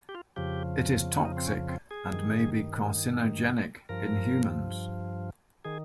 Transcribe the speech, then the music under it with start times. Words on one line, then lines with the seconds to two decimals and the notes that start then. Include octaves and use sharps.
It is toxic and may be carcinogenic in humans.
0.09 G4
0.15 F4
0.36 F2 C#3 F3 G4
1.19 C#4
1.25 D#4
1.37 C4
1.47 C#4
1.69 C4
1.91 G#4
2.12 G2 D#3
3.89 G2 F3 A#4
5.65 D#3 G#4